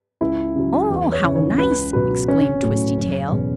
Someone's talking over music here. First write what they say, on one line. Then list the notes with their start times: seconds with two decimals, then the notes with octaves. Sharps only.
"Oh, how nice!" exclaimed Twisty Tail.
0.21 C#2 E4
0.55 C#3 F#3
0.90 E2
1.12 C#5
1.24 C#3 E3
1.36 C#5
1.58 C#2 B4
1.93 B2 F#3 B4
2.27 A1 C#4
2.62 A2 F#3
2.97 F#1
3.31 E2 B2 F#3